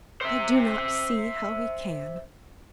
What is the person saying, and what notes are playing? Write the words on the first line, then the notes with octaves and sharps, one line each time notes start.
I do not see how he can.
C5 E5